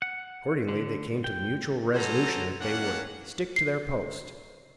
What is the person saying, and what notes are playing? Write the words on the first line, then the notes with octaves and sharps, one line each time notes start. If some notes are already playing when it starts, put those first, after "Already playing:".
Accordingly, they came to the mutual resolution that they would "stick to their post."
F#5
D3
G5
F#3 B3 A4 C5 G#5 A#5
D#3 A#3 C#4 D4 F#5
C7